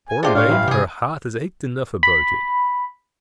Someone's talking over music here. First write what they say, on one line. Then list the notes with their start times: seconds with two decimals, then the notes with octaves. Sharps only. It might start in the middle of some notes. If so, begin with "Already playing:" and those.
Poor maid, her heart has ached enough about it.
0.09 G#5
0.23 G#3 A3 D4 F4 G4 C5
0.35 A2 D4 C#5 F5 C#6
0.49 A1 G2 E5
0.68 C3 G4 G#4
2.03 B5